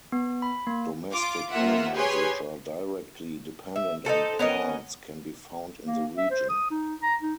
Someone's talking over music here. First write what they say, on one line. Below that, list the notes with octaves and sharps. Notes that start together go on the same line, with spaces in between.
Domestic animals which are directly dependent on plants can be found in the region.
B3
B5
A#3
F4 D6
A#3 F4 E5 F#5
G4 G#4 B4 C#5 G#5 C6
E5
D#4 F4 A4 C5
B3 C#4 A#4 D#5
A#3
E5
C5
D#6
D#4
A#5
D#4